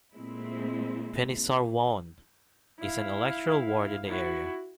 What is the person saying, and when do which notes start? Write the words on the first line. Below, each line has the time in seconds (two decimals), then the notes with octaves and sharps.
Penisarwaun is an electoral ward in the area.
0.13 A#2 G#3 A3 C4 E4
2.79 E4 F5
4.06 E4 F#4